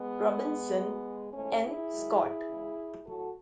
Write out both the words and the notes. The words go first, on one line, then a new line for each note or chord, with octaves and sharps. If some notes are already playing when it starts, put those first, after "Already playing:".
Robinson, N. Scott.
Already playing: G#3 B3
A2 F#3
G#2 F#3
G#2 E3 G#3 A3 C#4
E4 G#4
F#2 D#3 G#3
E2 C#3 G#3
A2 F#3 F#4 A4